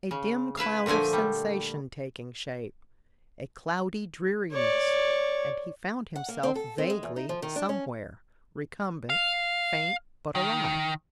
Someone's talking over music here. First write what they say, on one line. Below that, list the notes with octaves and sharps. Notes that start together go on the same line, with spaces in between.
A dim cloud of sensation taking shape, a cloudy dreariness, and he found himself vaguely somewhere, recumbent, faint, but alive.
C#3
E4 B4 E5 F5
A#2 D3 F3 A3 G#5
G3
C#5 D5
F#5
A#3
C4
A4
C4
G#3
E2
D#4
F3
D#3
D4
C#4
F5
D#3